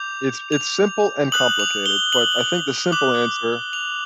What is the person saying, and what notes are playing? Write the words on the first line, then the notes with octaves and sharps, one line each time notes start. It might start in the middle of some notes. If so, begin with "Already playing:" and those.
it's it's simple and complicated, but I think the simple answer
Already playing: D6 G6 F7
F7
D#6 F#6 F#7
F7
G7
F#7
D6 F#6 F#7
F7